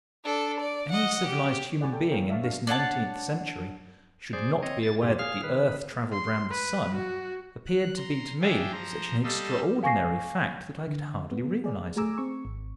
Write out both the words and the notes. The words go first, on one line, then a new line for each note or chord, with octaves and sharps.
That any civilized human being in this nineteenth century should not be aware that the earth travelled round the sun appeared to be to me such an extraordinary fact that I could hardly realize it.
D4 A4
D5
D#5 F#5
G4
D5 F#5 G#5 B5 C#6 D6
A4 G5
G#4 A4 C#5 F5 G5 A#5
D5 E5 F5 A5 C#6
D4 F5 C#6
D4 C#5 F#5 A5
G#4 C5 D5
C4 C#5 D#5
A6
G2 C3 F4 G4
G#4 F5 F6
D#3 B4
C6
B4
F#4
F#6
A#5 C6
D4 G#4 E5 F5 G5
F3 C5 A#5
G3 G4 A4 D#5 F5 E6
F5 G#5 C#6 D6 A#6 C7
D3
B3
G#4 D5
A3 G#4 G#5 A#5 D6 E6
C4 C#6
G#1